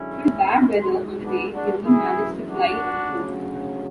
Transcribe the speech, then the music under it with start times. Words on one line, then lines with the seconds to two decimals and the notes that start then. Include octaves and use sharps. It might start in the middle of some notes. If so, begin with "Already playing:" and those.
Due to bad weather on the day he only managed to fly under two.
Already playing: F#2 D3 G#3 C#4 E4
0.62 G#2 G#3
1.23 B3 D4
1.53 D4 F#4
1.83 F#2 E3 G#3 E4 G#4
2.45 D4 F#4
3.06 D2 C#3 F#3